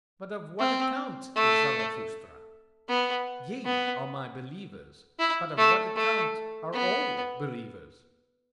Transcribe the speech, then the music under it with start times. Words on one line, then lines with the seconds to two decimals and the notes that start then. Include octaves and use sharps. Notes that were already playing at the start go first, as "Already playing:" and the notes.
But of what account is Zarathustra! Ye are my believers: but of what account are all believers!
0.59 C4
1.35 A3
2.89 B3
3.66 B3
5.19 E4
5.58 A3
5.96 A3
6.73 B3